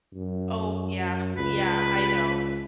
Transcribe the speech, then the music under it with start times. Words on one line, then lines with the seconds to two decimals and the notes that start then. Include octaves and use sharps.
Oh, yeah, yeah, I know.
0.14 F#2
1.37 C#2 B4